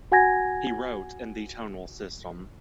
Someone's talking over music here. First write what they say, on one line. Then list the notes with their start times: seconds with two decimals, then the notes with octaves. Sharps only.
He wrote in the tonal system.
0.12 F#4 F#5 G#5 G#6 A#6